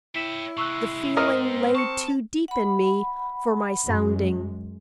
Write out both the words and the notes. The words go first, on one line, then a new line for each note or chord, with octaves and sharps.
The feeling lay too deep in me for my sounding.
E4 C#5 G5 B6 E7 F#7
C3 G#3 C#6 E6 F#6
G#2 A#4 D#5 A#5
C4
A5 C#6 C#7
F#5 B5
F#2 G#3